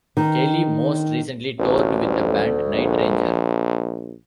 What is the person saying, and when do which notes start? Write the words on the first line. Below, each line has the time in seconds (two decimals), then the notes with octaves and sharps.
Kelli most recently toured with the band Night Ranger.
0.17 D#3
1.59 A1 D2
2.74 A#1